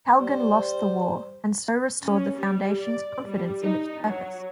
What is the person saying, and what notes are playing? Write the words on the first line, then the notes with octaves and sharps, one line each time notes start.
Kalgan lost the war, and so restored the Foundation's confidence in its purpose.
G3 C5
C#4
G3
D5
G3
D#4
F#3